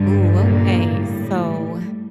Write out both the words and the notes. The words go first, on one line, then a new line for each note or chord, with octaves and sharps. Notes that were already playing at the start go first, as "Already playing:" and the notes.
Ooh, okay. So
Already playing: G2 D3 G3
A#2 A#3
A2 G3